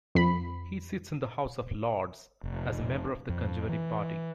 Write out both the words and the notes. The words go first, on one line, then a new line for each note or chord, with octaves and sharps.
He sits in the House of Lords as a member of the Conservative Party.
F2 B5
F1
F2
E3